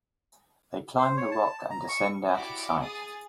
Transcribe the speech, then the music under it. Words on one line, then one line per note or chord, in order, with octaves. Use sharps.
They climb the rock and descend out of sight.
C5
C#5
A5
A#5
C#6
E4 F#4 G4 D5 D6
G#4 D#6 A6